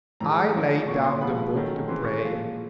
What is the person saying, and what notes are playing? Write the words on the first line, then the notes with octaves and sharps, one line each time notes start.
I laid down the book, to pray.
A2 E3 G#3 A#5
A2 F3 G#3 C#4
A#2 F#3 B3 C#6
C6
A#2 F3 G#3 B3 B5
D#3 F#3 A3 C#4
C#3 E3 G#3 C4 C6
C#6
A#2 F3 G#3